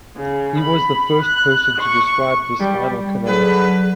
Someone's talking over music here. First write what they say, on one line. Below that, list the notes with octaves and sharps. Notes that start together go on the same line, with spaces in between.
He was the first person to describe the spinal canal.
C#3
B5
F#6
C#6
G3
D3 F#3 G#4 B4